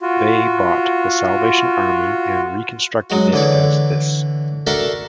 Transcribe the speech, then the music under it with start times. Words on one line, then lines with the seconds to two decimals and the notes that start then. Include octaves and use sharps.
They bought the Salvation Army and reconstructed it as this.
0.02 F4 F#4
3.10 F#3 G#3 F#4
3.33 D3 E3 C#5 D5
4.67 D4 F#4 A4 A#4 E5 A#5